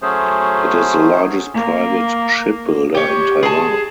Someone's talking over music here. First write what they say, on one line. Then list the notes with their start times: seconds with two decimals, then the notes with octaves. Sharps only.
It is the largest private shipbuilder in Taiwan.
0.02 F#3 A3 C#4 G#4 C5
1.54 A#3
2.95 G4 C#5
3.43 G#4 A5